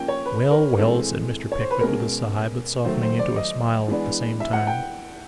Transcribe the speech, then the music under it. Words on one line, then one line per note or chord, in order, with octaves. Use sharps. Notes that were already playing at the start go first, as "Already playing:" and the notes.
'Well, well,' said Mr. Pickwick, with a sigh, but softening into a smile at the same time.
Already playing: F3 A#3 C#4 G5
C#5
B4
A#4
A2 E3 G#3 C4 A4
C#5
C5
B4
B2 G#3 C#4 A#4
D#3 F#3 A3 C5
C5
D5
D#5
E3 G#3 B3 D4
E5
F#5
G5